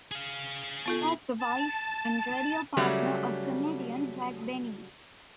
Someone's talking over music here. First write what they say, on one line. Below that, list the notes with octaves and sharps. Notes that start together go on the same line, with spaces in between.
She was the wife and radio partner of comedian Jack Benny.
G#4 F5
B3 F4 A4
A5
C#3 F#3 G3 A3